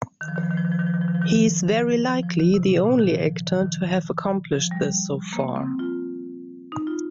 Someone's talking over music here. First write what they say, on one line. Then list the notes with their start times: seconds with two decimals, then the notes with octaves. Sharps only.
He is very likely the only actor to have accomplished this, so far.
0.21 D#3
0.28 F3
0.36 D#3
0.43 F3
0.50 D#3
0.57 F3
0.65 D#3
0.72 F3
0.79 D#3
0.86 F3
0.94 D#3
1.01 F3
1.08 D#3
1.15 F3
1.22 D#3
2.07 F3
2.23 F3
2.39 D#3
2.54 C3
2.69 A#2
2.85 A#2
3.00 D#3
3.16 F3
3.47 D#3
3.55 F3
3.62 D#3
4.56 F3
4.71 G3
5.33 A#3
5.56 C4
5.79 F4
6.72 D#4
6.87 F4